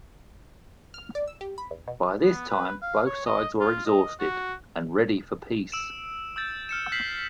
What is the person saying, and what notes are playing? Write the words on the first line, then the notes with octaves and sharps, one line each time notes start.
By this time both sides were exhausted and ready for peace.
F6
D5
E6
G4
B5
E2
B2
B3
B4
F5
C#5
D#5
F4
D#5
F#4
E6 D7 E7
E6 G6 A6
F6 C#7 E7
F6 G6 B6 C7 F#7